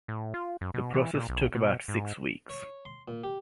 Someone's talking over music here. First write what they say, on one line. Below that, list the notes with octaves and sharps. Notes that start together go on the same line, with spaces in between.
The process took about six weeks.
A2
F4
F#2
B2
E3
A#2
B1
B2
G#2
C#5
C6
A#2
G4